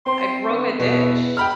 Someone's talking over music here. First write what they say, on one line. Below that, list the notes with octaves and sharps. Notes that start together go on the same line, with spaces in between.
I broke a dish.
C4 C6
D3 B3
E2 B2
G5 B5 F6